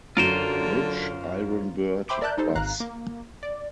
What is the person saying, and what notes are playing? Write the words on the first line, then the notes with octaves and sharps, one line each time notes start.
Rich Ironbird bass.
F#2 D3 F4 A#4 C5
C5 E5 G5 B5 C6 D6
A#4 D5 E5 A5 F#6 G6
G3 D#4 A4 C5
G#1 F5 A#5 F#6
A#3
D5